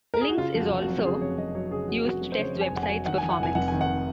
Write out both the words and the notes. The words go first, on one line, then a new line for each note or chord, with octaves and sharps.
Lynx is also used to test web sites' performance.
A#4
G#4
F#4
C#3 F4
F2
F#4
F1
F#4
F#3
C#3 G#4
F2 C#5
F1 D#5
F#3 C#5
C#3 G#4
F2 F#4
F1 F#4
F#3
C5
C#3 C#5
F2
G#5
F1 F#5
G#5
F#3
D#3 F#5
F2 G#5
F#5
F1 G#5
F1 F#5
D#3 G#5
F#5